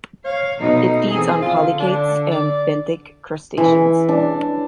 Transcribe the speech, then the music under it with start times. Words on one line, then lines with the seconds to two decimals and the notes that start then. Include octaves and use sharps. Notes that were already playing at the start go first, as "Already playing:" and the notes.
It feeds on polychaetes and benthic crustaceans.
0.25 C#5 F5
0.60 B2 A3 D#4
1.09 E3 C4 G#4
1.42 D3 F4
1.80 D4
2.31 D5
3.57 E3
4.09 D4